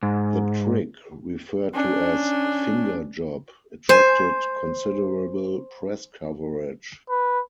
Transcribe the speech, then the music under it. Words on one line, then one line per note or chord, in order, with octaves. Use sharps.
The trick, referred to as "finger job," attracted considerable press coverage.
G#2
C#4 D4
C5 G#5
B4